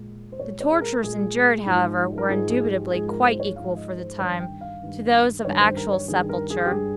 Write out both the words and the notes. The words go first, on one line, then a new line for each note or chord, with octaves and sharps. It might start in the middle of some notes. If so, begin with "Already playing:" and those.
The tortures endured, however, were indubitably quite equal for the time, to those of actual sepulture.
Already playing: A#2 G#3
C5
A#2 G#3 C#5
C#5
G#4
A#4
A#2 G#3 G#4
G#2 F3 G#3
A#4
G#2 F3 G#3 G#4
G#4
G4
G#2 F3 G#3 G#4
A#4
C5
C#5
G#2 F3 G#3 F5
D#5
C5
G2 D#3 G3 C#5
G5
F5
G2 D#3 G3
G2 D#3 G3 C#5
C5
A#4
C#5
G2 D#3 G3 G#4
A#4
G#4
G4
G2 G3 G#4